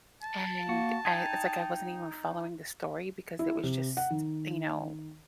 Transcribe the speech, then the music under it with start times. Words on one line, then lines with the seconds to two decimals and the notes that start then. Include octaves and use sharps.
and, eh it's like I wasn't even following the story because it was just, you know,
0.22 A5
0.69 A#3 F#4
1.05 D#4 G5 G#5
3.39 E4
3.63 C3
3.97 F#5
4.10 D#3